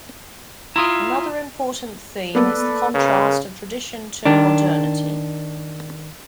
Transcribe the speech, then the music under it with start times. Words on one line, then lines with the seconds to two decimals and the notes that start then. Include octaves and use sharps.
Another important theme is the contrast of tradition to modernity.
0.76 E4 F4 A#5 C6 D#6
2.35 A#3 B3 A4 B4 D5
2.94 C#3 G#4 A#4 B4
4.25 D#3 D4